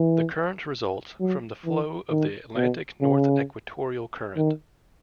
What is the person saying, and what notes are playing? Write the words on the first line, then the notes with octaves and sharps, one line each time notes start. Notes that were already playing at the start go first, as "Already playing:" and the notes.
The current results from the flow of the Atlantic North Equatorial Current.
Already playing: E3
F#3
E3
D#3
B2
C#3
D#3